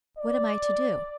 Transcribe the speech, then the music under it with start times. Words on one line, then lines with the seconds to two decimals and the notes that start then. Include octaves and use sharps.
"What am I to do?"
0.19 D5